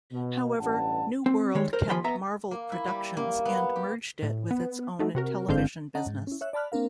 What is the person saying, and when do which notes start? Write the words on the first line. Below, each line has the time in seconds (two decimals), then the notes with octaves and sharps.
However, New World kept Marvel Productions and merged it with its own television business.
0.13 B2
0.59 A1 G2 G3 F#5 G5 A5
1.26 C4
1.55 D#3 G3 G#3 C#5
1.73 A#4 C5
1.90 D#2 F3 G#5 B5 C6
2.04 B3 E5 A#5
2.51 A#3
2.72 E4
2.87 G3
3.17 A#3
3.45 B3
3.76 G4
4.23 A2
4.51 B3
4.99 F#3 A3 D#4
5.15 C3 F#4 A#4
5.48 G1 G#2 D3 C4 F5 G6
5.95 C#4 D#5 F#5 A5 A#5
6.08 G#2
6.27 C#4 E4
6.41 C#5 E5 F#6
6.53 D5 A5 B5 F6 F#6
6.72 A#3 C4 D4 A#4 F5